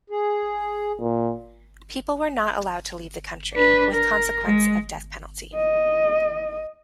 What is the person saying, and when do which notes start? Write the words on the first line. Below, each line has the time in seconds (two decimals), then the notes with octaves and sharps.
People were not allowed to leave the country, with consequence of death penalty.
0.10 G#4
1.01 A#2
3.54 D4 B4
3.94 A#4
4.44 G#3
5.55 D#5